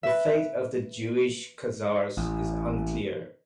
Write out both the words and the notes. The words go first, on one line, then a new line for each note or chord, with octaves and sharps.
The fate of the Jewish Khazars is unclear.
B4 E5
A1